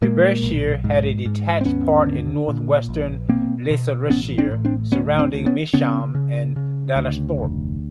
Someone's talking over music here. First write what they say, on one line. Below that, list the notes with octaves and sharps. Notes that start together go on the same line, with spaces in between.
Derbyshire had a detached part in north-western Leicestershire, surrounding Measham and Donisthorpe.
A#2 G#3 A#3
B1
G#2
G#2
C4
D#2 B3 C#4
D3
A#2
A#1
B2 A#3 C4
B2
A1 B3 C#4
C4 D4
A2
C4 D4
D2 B3 C#4
C4 D4
D2
B3 C#4
C#3 B3 C#4
C#3
C#3
D2
F1